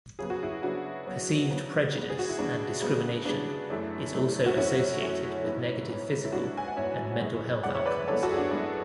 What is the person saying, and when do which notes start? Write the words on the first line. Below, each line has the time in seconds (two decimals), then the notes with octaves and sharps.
Perceived prejudice and discrimination is also associated with negative physical and mental health outcomes.
0.19 C#3 F#3 B3 G#4
0.30 F#4
0.43 E4 G#4
0.62 C#3 F#3 B3 D4 F#4
1.06 C#3 F#3 B3
1.51 C#3 F#3 B3
1.94 C#3 G#3 B3
2.10 G#4
2.19 F#4
2.29 E4
2.38 C#3 G#3 B3 D4
2.82 C#3 G#3 B3
3.25 C#3 G#3 B3 D4
3.70 F#2 E3 A3
4.14 F#2 E3 A3
4.46 F#4
4.57 F#2 E3 A3 C#4 E4
5.02 F#2 E3 A3
5.45 G#2 E3 B3
5.89 G#2 E3 B3
6.25 E4
6.32 G#2 E3 B3 D4 F#4
6.57 G#5
6.68 F#5
6.77 G#2 E3 B3 C#5 E5
7.20 F#2 E3 G#3 B3
7.63 F#2 E3 G#3 B3 D5 F#5
7.74 C#5 E5
7.86 B4 D5
8.08 F#2 E3 G#3 B3 A4 C#5
8.23 F#4 A4
8.32 G#4
8.37 D4 F#4
8.51 F#2 E3 G#3 B3